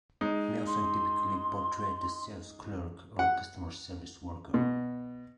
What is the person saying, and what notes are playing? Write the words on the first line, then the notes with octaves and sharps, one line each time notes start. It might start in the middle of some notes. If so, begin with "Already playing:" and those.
Nelson typically portrayed a sales clerk or customer service worker.
G#3 D#4
C6
F#5
B2